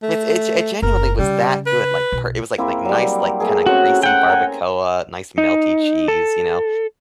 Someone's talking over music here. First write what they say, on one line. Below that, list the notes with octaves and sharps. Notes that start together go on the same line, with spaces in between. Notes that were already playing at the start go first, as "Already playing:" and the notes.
It it it genuinely was that good, like, per it was, like like nice, like, kinda greasy barbacoa, nice melty cheese, you know,
A3
F#1 A#4
C#3 G3
B4
B1
A#3 C4 E4
F#3 G3
A3 A#3 G#4
C4 C#4 F#4 C#5
F#5 G5
G#5 A#5
D#4
A4